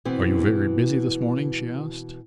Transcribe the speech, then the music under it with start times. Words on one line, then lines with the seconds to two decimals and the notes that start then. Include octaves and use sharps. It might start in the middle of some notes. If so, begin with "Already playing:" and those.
"Are you very busy this morning?" she asked.
0.05 B2 E3 C4